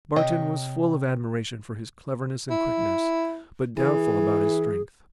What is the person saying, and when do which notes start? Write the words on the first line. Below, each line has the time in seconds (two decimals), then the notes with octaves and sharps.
Barton was full of admiration for his cleverness and quickness, but doubtful about his strength.
0.16 C3 C#5 D#5 G5
2.50 E4
3.77 E3 G#4